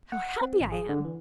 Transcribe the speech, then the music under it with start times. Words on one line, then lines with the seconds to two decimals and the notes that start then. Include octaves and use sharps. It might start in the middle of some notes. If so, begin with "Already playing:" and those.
How happy I am!
0.12 F#5
0.41 C4
0.60 G#1
0.72 G#4
0.89 D3
1.05 E3